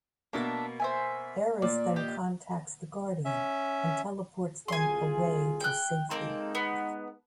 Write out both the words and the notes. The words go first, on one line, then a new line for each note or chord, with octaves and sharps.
Eris then contacts the Guardian and teleports them away to safety.
B2 A#3 D4 E5 A5
C5 E5 G#5
A#2 D5
G4 D#5
C#4 E5
C2 F4 G#4 G#5 C6
G5 F#6
G#3 A#3 C4 D#4 A4
B3